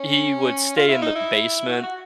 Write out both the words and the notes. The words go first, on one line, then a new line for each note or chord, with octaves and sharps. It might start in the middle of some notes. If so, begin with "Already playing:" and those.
he would stay in the basement
Already playing: C#4
F4
E4
D#4
E4
F#4
F#4